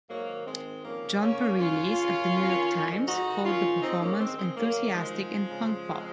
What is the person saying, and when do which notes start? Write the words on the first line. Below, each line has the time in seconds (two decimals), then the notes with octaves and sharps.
Jon Pareles of "The New York Times" called the performance enthusiastic and punk-pop.
0.09 G#2 F#3 A#3
0.28 D#3
0.46 D#3 G#3 C4
0.65 G#2
0.84 F2 A#3 C#4
1.03 C#3
1.21 C#3 A#3 C#4
1.40 F2
1.58 F#2 C#4 F4
1.77 C#3
1.96 C#3
2.14 F#2
2.33 F2
2.52 D#3
2.70 D#3
2.89 F2
3.07 G#2 D#4 F#4
3.26 D#3
3.45 D#3 C#4 F4
3.64 G#2
3.82 G#2 C4 D#4
4.00 D#3 A#3 C#4
4.19 D#3 G#3 C4
4.38 G#2 G#3 C4
4.57 G#2 F#3 A#3
4.75 D#3
4.94 D#3 F3 G#3
5.13 G#2
5.31 F2
5.49 C#3
5.68 C#3
5.87 F2